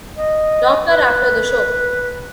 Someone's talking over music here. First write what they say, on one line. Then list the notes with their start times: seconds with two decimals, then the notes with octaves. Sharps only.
Doctor after the show.
0.17 D#5
0.88 B4